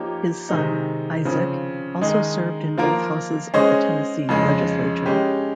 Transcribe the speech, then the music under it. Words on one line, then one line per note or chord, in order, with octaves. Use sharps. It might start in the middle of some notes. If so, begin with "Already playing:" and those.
His son, Isaac, also served in both houses of the Tennessee legislature.
Already playing: F3 A#3 D#4 G4 C#5
C3 D#3 G#3 D#4
C#3 F3 C4
D#3 G#3 D#4
F3 A#3 F4 A#4
G#3 C#4 G#4 C5 D#5
F2 C#3 G#3
G#3 C#4 G4